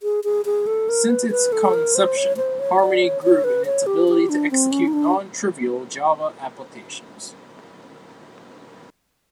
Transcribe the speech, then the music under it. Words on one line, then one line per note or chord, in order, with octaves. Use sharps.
Since its conception, Harmony grew in its ability to execute non-trivial Java applications.
G#4
G#4
G#4
A4
A#4
B4
B4
A4
A#4
C5
C#5
C5
C#5
D5
C#5
C#5
B4
C#5
G4
G4
D4
C4
C#4
D#4
D4